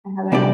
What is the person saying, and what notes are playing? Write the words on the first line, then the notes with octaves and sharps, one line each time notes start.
I haven't.
C3 G3 D4 G4 D5